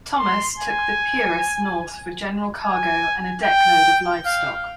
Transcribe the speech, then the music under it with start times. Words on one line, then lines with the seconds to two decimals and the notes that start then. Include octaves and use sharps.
Thomas took the "Peeress" north for general cargo and a deckload of livestock.
0.19 C6
0.59 G#5
2.63 G#5
3.44 G5
4.26 F5